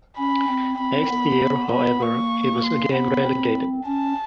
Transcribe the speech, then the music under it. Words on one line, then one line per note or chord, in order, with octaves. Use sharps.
Next year, however, it was again relegated.
C#4 B5
C4
C4 B5
B3
B3 B5
A#3 C#6
C6
B3 B5
C4
C#4 A5